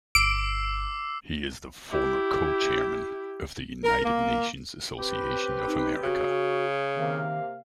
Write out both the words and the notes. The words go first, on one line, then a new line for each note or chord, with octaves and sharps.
He is the former Co-Chairman of the United Nations Association of America.
G1 D6 E6 C7 D7
E4 G4
A#4
A#3
C4 G4 B4
D#4
C#3 F#4
C3 D#3 A#3 F5